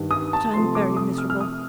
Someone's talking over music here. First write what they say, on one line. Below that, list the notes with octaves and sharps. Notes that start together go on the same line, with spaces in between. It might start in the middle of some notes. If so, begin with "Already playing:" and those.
But I am very miserable!
Already playing: G2 D#3 G3
D#6
A5
C3 F3 A3 C4 C6
D6
D#6
F6
F6
D#6